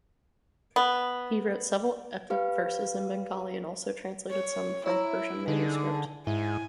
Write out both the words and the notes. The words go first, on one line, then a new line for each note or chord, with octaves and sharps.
He wrote several epics verses in Bengali and also translated some from Persian manuscript.
B3
G4 B4 F5
C#5
E4 C#5 E5 A#5
D3 D#4 G#4
G#2 E4 G#5